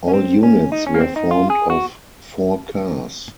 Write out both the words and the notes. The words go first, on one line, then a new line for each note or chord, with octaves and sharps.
All units were formed of four cars.
C#4
C4
C#4
D#4
C#4
A#3
C4
D#4
F4
G#4
F#4